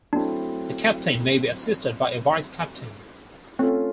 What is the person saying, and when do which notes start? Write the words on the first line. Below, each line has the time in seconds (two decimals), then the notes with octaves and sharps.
The captain may be assisted by a vice-captain.
0.13 F#3 A3 C4 D4 E4
3.59 A3 C4 C#4 F4 A4